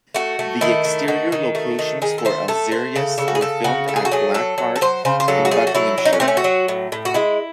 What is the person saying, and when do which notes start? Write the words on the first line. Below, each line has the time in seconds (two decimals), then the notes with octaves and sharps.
The exterior locations for Alzarius were filmed at Black Park in Buckinghamshire.
0.14 A3 F#4
0.39 A3
0.61 D#3 E4
0.85 A3
1.08 D#3 F#4
1.32 D#3
1.55 A3
1.79 D#3
2.02 D#3 G#4
2.18 A4
2.25 A3 C5
2.48 A3 A4
2.72 A3 C5
2.95 C#3 A4
3.18 C#3 A4
3.28 F#4
3.35 G#4
3.41 C#3 A4
3.64 C#3 F#4
3.88 A3 A4
3.96 G#4
4.05 F#4
4.11 F#3 G#4
4.34 F#3 A4
4.58 F#3
4.76 A4
4.81 F#3 C5
5.05 C#3 C5
5.20 C5
5.28 F#3 A4
5.45 F#4
5.51 A3 G#4
5.67 F#4
5.75 F#3 E4
5.98 F#3
6.05 D#4
6.13 C#4
6.20 A3 C4
6.28 C#4
6.37 F#4
6.44 F#3
6.68 A2
6.92 A2
7.05 F#4
7.14 G#3 E4